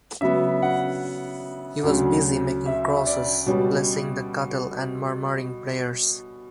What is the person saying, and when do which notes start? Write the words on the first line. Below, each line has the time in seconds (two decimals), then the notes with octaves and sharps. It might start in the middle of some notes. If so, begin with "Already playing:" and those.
He was busy making crosses, blessing the cattle, and murmuring prayers.
0.21 C#3 F#3 B3 E5
0.62 F#5
1.83 D2 C#3 F#3
2.66 E5
3.07 D5
3.46 B2 G3 C#4